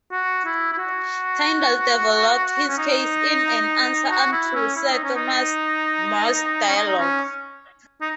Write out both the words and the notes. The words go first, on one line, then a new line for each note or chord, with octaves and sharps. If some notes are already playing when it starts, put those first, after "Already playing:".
Tyndale developed his case in "An Answer unto Sir Thomas More's Dialogue".
F#4
E4
E4
F#4
C#4
D#4
F#4
E4
C#4
E4
D#4
C#4
D#4
C#4
D#4
D#4
C#4
D#4